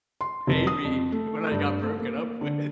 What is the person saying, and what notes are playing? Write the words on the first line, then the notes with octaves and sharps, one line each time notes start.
pay me when I got broken up with.
C6
F1
D#6
F2
A3
G2
A3
A#3
D3